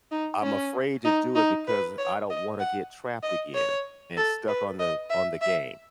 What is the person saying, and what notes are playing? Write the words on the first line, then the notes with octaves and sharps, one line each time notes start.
I'm afraid to do it because I don't wanna get trapped again and stuck on the on the game.
D#4
C#4
D#4
D#4
B4
C#5
D#5
F#5
D#5
C#5
A4
B4
D#5
E5
E5